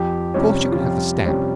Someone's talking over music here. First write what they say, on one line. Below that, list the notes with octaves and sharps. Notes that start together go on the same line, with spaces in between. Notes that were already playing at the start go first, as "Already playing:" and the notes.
'Of course, you can have the stamp.
Already playing: F2 G4
C3 G3 C#4
F4
F2 G4
C3 G3 C#4